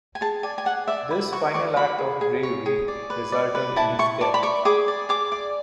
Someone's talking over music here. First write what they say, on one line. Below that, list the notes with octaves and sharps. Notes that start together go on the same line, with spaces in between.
This final act of bravery resulted in his death.
G#5
G#4 A5
D5 G#5
G#5
G#4 F#5
D5 E5
B4 B5
F#4 C#6
D5 C#6
F#4 B5
G#4
G#4
C#5
G#4
D5
B4
D5
B4
E4 A5
E4 C#6
D5 A5
B5
D5 C#6
G#4 D6
D5
G#4 D6
D5